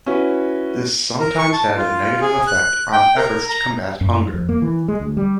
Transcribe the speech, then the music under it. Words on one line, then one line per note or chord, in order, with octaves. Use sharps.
This sometimes had a negative effect on efforts to combat hunger.
C#4 E4 F#4 B4
A#4
C#6
A5
F4
G#4
F#6
G5
A#4
A#5
F#2
F2
A#3
E3
G#3
D2
G3